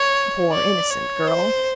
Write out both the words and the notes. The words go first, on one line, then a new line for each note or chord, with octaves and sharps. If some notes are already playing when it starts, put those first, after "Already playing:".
Poor innocent girl.
Already playing: C#5
D5
C#5
C5